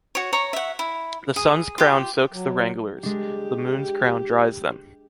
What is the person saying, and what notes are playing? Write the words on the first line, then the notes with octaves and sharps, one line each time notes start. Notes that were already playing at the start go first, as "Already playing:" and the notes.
The sun’s crown soaks the wranglers, the moon’s crown dries them.
F#4 C#5
C#5 A#5 C#6
E5 F#5
E4
G#4
F4 G4
F#3
G#3 D4 G4